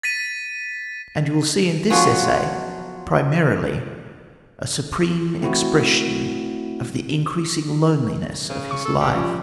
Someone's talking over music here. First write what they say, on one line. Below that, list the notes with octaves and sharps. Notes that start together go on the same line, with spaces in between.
And you will see in this essay, primarily, a supreme expression of the increasing loneliness of his life.
A6 B6 D#7
F3 F#3 B3 C#4 F4
A3 C4 E4 F#4
C#3
C#6
A4
A1 G3
F3 C#4 F4